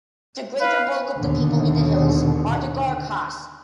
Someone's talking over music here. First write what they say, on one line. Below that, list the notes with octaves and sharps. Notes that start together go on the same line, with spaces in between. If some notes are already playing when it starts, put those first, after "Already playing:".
The greater bulk of the people in the hills are the Gorkhas.
B4 F5
D#2 B2 D3